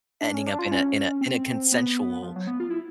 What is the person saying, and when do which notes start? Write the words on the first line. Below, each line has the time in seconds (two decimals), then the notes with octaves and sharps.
ending up in a in a in a consensual,
0.21 D4
0.34 C#4
0.47 D4
0.59 F4
0.71 C#4
1.21 C4
1.72 B3
2.22 F3
2.36 F#3
2.47 B3
2.60 F4
2.70 E4